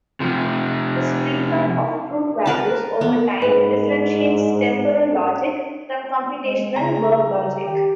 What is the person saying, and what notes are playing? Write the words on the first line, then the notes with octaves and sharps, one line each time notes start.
This treatment of truth values over time differentiates temporal logic from computational verb logic.
C3 F3
A#4 B4 A5
B3
G#2 B4
G#3
C#3 A#5
D#3 G4